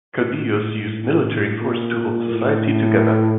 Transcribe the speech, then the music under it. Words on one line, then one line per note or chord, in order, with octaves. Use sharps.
Caudillos used military force to hold society together.
A2
A#2
A2